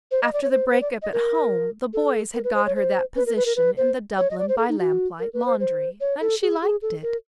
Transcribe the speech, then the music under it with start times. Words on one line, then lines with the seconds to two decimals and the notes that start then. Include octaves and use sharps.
After the break-up at home the boys had got her that position in the Dublin by Lamplight laundry, and she liked it.
0.11 C5
0.23 D#5
0.33 D5
0.43 C#5
0.51 C5
0.71 C5
0.81 D5
1.02 D#5
1.13 A#4
1.93 A4
2.34 A#4
2.44 B4
2.54 C5
2.66 C#5
2.76 C5
3.16 B4
3.26 A#4
3.36 B4
3.46 A#4
3.56 B4
3.77 C5
4.18 C#5
4.30 D#5
4.38 D5
4.49 C5
4.58 A4
4.69 D#4
4.79 F#4
5.20 A#4
5.33 B4
5.46 C5
5.60 C5
6.01 C#5
6.21 A4
6.42 G#4
6.62 G#4
6.82 A4
7.02 A#4